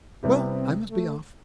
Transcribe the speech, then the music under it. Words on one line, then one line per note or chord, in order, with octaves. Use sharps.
Well, I must be off.
C3 G3 B3 C4 E4 G4
A3